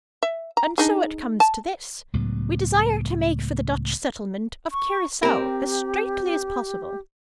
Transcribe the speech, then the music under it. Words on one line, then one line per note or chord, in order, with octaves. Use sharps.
And so it comes to this: We desire to make for the Dutch settlement of Curacao as straightly as possible.
E5
A#5
D4 D#4 G#4
A5
C#2 A2 F#3 B3
C#6
C4 G4 A#4